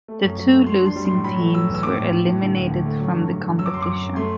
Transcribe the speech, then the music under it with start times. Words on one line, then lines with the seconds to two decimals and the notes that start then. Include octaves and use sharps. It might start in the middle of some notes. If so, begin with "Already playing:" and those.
The two losing teams were eliminated from the competition.
0.08 A3
0.23 F#2
0.37 F#3
0.51 A3
0.67 G3 C6
0.82 D4 C6
0.96 G3
1.05 C6
1.11 A2
1.24 F#3 B5
1.39 A3
1.54 F#3 E6
1.69 E2
1.75 E6
1.83 A2 D6
1.97 A2
2.12 A2
2.26 A2
2.41 D3
2.56 D2
2.71 D2
2.86 A3
2.99 F#3
3.14 G2
3.29 G2
3.44 G2
3.58 F#3 E6
3.66 D6
3.72 F#2 C6
3.82 F#2 D6
4.03 F#2
4.16 A3 C6